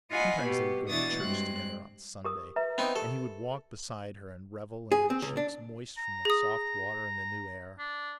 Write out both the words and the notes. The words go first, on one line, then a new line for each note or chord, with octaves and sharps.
Sometimes they would go to church together on Sunday and he would walk beside her and revel in her cheeks moist from the soft water in the new air.
F4 D#5 F#5 G#5 B5
B2 B3 G4
B2 E3 D4 F#4 D#6 A6
G2 G#3 C4 F#6
G4 A#4 D#6
B4 E5 A#5
B3 C4 D#4
G4 A4 A#4
G#4
C4
C#2
D4
A#5
G#4 D#6
D4